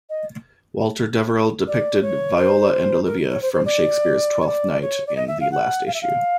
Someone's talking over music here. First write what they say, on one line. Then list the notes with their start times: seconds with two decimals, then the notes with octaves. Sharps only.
Walter Deverell depicted "Viola and Olivia" from Shakespeare's "Twelfth Night" in the last issue.
0.09 D#5
1.67 D5
2.02 C#5
2.36 C5
3.06 A#4
3.30 C#5
3.42 C5
3.53 C5
3.65 D5
4.41 C#5
4.46 D5
4.81 C#5
5.06 D5
5.16 D#5
5.27 E5
5.40 F5
5.51 F#5
5.86 F5
5.94 E5
6.01 F5